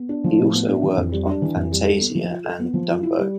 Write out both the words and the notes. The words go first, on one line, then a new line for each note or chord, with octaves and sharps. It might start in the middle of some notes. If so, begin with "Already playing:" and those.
He also worked on "Fantasia" and "Dumbo".
Already playing: B3
D4
F3
A2
B3
D4
E3
F2
G3
D4
E3
F2
G3
A4
B3
F3
F4
A4
B3
F3
F4
E4
G3